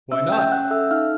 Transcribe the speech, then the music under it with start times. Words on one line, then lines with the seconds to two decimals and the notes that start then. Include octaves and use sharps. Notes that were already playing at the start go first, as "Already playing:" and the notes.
"Why not?"
0.12 C#4 E5 E6
0.32 C#4 G5 G6
0.52 C#4 F#5 F#6
0.71 A4 E5 E6
0.91 D#4 F5 F6